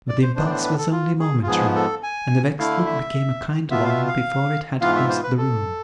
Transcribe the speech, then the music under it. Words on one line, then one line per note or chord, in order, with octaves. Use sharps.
But the impulse was only momentary, and the vexed look became a kind one before it had crossed the room.
D5
C5
A2 E3 B3 D4 C5
D5
C5
B4
A4
F4
G#4
F4
G#2 F3 B3 G#4
A4
G#5
D3 A3 E4 F5
E5
B2 B3 F4 E5
F5
E5
F5
G#2 E3 B3 F4 F5
E5
C5
B4
A4